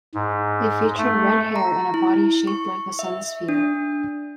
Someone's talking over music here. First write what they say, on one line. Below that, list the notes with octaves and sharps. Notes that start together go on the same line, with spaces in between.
It featured red hair and a body shaped like the Sunsphere.
G#2
A3
A#5
E4
C#6
E5
D4